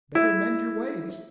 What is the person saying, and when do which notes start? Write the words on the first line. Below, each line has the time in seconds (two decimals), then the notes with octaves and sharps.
Better mend your ways.
0.15 E4